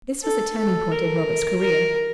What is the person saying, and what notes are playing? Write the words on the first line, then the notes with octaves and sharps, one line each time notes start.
This was a turning point in Roberts' career.
A4
A4
A#4
A#4